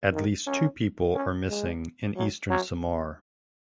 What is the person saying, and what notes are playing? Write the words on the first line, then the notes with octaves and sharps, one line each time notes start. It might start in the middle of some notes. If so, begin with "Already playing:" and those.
At least two people are missing in Eastern Samar.
D#3
C#4
C#4
G#3
F#3
F#3